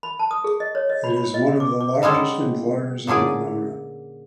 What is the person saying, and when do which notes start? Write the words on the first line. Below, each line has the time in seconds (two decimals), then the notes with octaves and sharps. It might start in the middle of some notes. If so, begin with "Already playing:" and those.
It is one of the largest employers in Winona.
0.03 B5
0.19 A5
0.31 D#6
0.44 G#4
0.60 D#5
0.75 C#5
0.90 D#5
1.04 B5
1.17 B5
1.34 D#5
1.60 D6
1.81 D6
2.02 D3 G3 G#3 C#4 A4
3.07 A#2 D3 C#4 G#4 D5